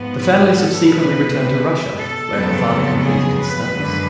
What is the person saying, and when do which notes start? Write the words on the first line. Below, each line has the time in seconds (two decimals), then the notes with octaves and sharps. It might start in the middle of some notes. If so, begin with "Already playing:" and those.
The family subsequently returned to Russia where her father completed his studies.
Already playing: G#2 F3 B3
0.17 B4
0.54 A4
0.88 B2 G#3 B3 B4
1.97 A4
2.32 F2 C#3 F#3 B3
3.04 G#4
3.40 B4
3.75 F#2 D3 F3 G#3